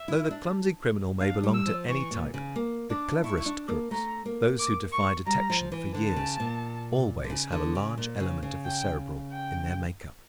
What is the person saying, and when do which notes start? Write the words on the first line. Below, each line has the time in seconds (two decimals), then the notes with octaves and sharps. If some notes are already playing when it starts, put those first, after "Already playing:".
Though the clumsy criminal may belong to any type, the cleverest crooks--those who defy detection for years--always have a large element of the Cerebral in their makeup.
Already playing: E5
0.08 E4
0.31 D4
1.20 D4 F5
1.43 G3
1.54 E6
1.66 F3
1.88 E3 C#6
2.11 A#2
2.34 C#3
2.56 A#3
2.90 D4 D6
3.24 E4 C#6
3.37 E4
3.46 D4
3.68 A#3
3.91 A3 A#5
4.25 A#3
4.59 D6
4.92 C#6
5.26 G3 A#5
5.50 F3
5.72 E3
5.94 D3 A5
6.16 C#3
6.40 A#2
7.24 D3
7.30 C#3
7.52 D3
7.75 C#3
7.97 A#2
8.20 C#3
8.43 C#3
8.65 G5
9.33 G5